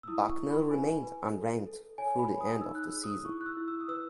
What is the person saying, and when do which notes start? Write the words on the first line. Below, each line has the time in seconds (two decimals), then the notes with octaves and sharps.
Bucknell remained unranked through the end of the season.
0.03 E6
0.08 E4 D#6
0.29 C#6
0.40 E4
0.50 B5
0.71 B4 G#5
1.03 B4
1.34 A4
1.67 A4
1.98 C#5 G#5
2.19 B5
2.30 C#5
2.41 D#6
2.61 D#4 E6
2.75 F#6
2.83 E6
2.93 G#4
3.04 D#6
3.25 E4 C#6
3.41 F#6
3.46 E6
3.57 E4
3.68 E6
3.81 D#6
3.88 B4 E6